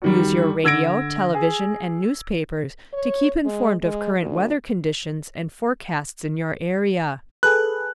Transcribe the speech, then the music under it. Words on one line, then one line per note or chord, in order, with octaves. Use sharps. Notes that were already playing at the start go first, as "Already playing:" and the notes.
Use your radio, television and newspapers to keep informed of current weather conditions and forecasts in your area.
F#2 D#3 G3
D3 E6 G#6 A#6 D7
G#4
C#5
G#3
G#3
D2
G#4 A4 B4 F#6